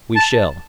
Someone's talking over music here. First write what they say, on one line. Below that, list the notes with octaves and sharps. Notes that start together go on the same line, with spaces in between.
We shall.
A5